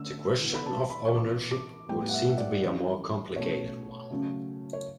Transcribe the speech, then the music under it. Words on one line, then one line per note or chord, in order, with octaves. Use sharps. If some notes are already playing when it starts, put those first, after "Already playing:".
The question of ownership would seem to be a more complicated one.
Already playing: D3 A3 C#4 E6
E3 B3
B5
A5
B5
C#6
E3 B3 D6
D6
A2 G3 B3 G5
F#5
E5
E5
D5
E3 G3 C#4
B2 A3 C#4 C#5
C#3 F#3 A3 C#4
C#5